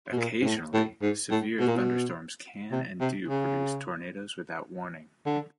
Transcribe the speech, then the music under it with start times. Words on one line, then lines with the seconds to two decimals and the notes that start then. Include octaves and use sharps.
Occasionally, severe thunderstorms can and do produce tornadoes without warning.
0.12 B2
0.18 A#2
0.42 G#2
0.45 A2
0.74 A2
1.02 G#2
1.31 A2
1.59 B2
1.68 A#2
1.76 B2
2.71 C3
3.00 C3
3.28 C#3
5.26 D3